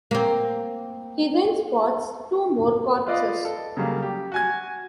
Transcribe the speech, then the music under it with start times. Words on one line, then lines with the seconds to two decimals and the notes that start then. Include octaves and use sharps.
He then spots two more corpses.
0.11 A#3 C4
3.06 F4 B4 D5 D#5 F5
3.45 A4
3.77 C#3 F#3 G3 A#3
4.02 G4
4.32 F#4 G#5 G#6